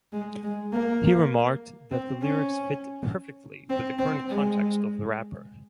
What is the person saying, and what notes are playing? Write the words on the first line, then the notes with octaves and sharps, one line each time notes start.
He remarked that the lyrics fit perfectly with the current context of the rapper.
G#3
G#3
A#3
C4
C#4
C4
C4
G#3